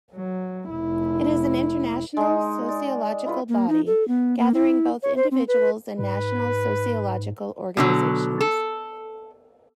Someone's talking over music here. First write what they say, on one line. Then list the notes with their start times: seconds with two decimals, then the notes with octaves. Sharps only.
It is an international sociological body, gathering both individuals and national sociological organizations.
0.15 F#3
0.70 F1 E4
2.17 G#3 D#4
2.68 D5
3.26 E4 F4 B4
3.48 A#3
3.69 D#4
3.86 A4
4.08 B3
4.38 A#3
4.54 E4
5.03 C#5
5.16 C5
5.31 C4
5.48 B4
5.99 G#2 B4
7.77 B2 D3 F#3
8.41 A4